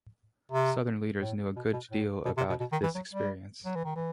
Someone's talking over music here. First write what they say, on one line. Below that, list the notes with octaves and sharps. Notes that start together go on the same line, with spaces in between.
Southern leaders knew a good deal about this experience.
C3
A2
B2
B2
A2
B2
C3
B2
B2
D#3
E3
F#3
G3
F#3
E3
D#3
E3